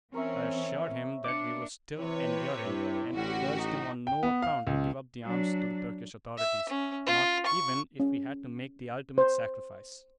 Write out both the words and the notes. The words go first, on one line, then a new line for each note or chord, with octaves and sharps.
I assured him that we were still enduring, and urged him on no account to give up the arms to the Turkish authorities--not even if we had to make the ultimate sacrifice.
E3 C4 C#4 A#4 C#5 E5
A#3 D4 D6 C#7
C3 E3 B4 C#5
G2 E4
A1 D3 G3 C#4 F#4 G4
F#3 D#4
G5
B3
F5
C#2
F#3 D4
E5
C#4
F4
C#6
C#4
C5